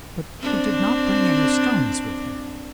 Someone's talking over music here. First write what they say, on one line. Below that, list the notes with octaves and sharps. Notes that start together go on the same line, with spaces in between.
But he did not bring any stones with him.
C4 D4